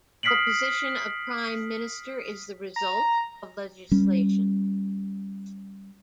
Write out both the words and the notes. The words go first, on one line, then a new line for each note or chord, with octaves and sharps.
The position of Prime Minister is the result of legislation.
D#6 F6 B6 C7 D7 F#7
A#5
G3 C#4